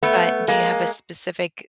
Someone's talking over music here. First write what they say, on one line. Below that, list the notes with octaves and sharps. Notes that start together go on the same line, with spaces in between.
but do you have a specific
A3 B3
G#3 A#3